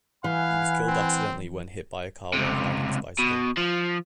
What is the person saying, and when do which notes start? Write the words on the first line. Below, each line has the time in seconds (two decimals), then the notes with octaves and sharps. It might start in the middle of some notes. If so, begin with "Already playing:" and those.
He was killed accidentally when hit by a car while riding his bicycle.
0.24 E3 F5 F#5 G#5 B5
0.87 C4
2.34 C#2 C3
3.19 B2
3.58 F3